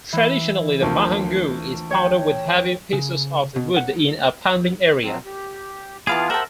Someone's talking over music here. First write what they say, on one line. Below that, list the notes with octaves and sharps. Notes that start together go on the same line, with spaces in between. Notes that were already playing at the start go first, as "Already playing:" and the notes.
Traditionally the mahangu is pounded with heavy pieces of wood in a 'pounding area'.
E3
D2 F3 A#3
C#5 G5
C#3
B2
F#5
F3 F#3 C4
G4
E3 B3 F4 G#4 F5 A5 B5 D6
G4 A#4 C5 E5 F#5 A5 E6